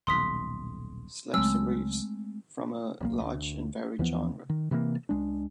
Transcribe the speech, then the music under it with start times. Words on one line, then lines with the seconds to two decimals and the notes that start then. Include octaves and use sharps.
Slab serifs form a large and varied genre.
0.07 D#1 B1 C6 D#6 B6
1.34 C#2 F#3 G#3 A3 C4 E6 F6
3.00 D1 B1 A#3
3.21 D2
3.99 D#2 E3 F3 B3
4.49 D#3
4.71 C3 E3 F3 A#3
5.09 C#2 G#3 D4